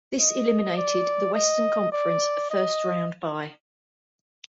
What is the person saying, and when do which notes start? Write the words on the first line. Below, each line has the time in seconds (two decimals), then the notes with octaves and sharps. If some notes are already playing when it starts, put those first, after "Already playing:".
This eliminated the Western Conference first-round bye.
0.19 D#5
0.77 D5
1.35 D#5
1.92 D5
2.50 D#5